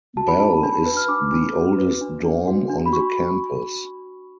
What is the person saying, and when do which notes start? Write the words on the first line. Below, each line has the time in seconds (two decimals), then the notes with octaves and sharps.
Belle is the oldest dorm on the campus.
0.17 F#4 A5
0.28 B5
0.40 D4 A5
0.63 D4 B5
0.86 B4
0.97 F6
1.08 D4 D6
1.31 D4
1.55 F#4
1.78 B4
2.01 D4
2.24 D4
2.47 F#4
2.70 D4
2.86 B5
2.93 F#4 C#6